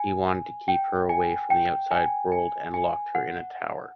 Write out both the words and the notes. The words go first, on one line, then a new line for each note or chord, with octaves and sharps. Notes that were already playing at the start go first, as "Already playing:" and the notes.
He wanted to keep her away from the outside world and locked her in a tower.
Already playing: G#5
G5
G#5
G5
G#5
G#5
G#5
F#5